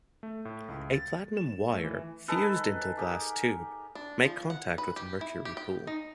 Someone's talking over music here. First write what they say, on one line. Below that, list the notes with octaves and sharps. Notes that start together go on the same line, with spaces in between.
A platinum wire, fused into the glass tube, made contact with the mercury pool.
A3
A2
C#2
A6
E7
A3
E3
D#4 G#4 A4 B4
G4 G#4 A#4
D4
F3
F#5
B4
G4
E4
G4
G5
D#4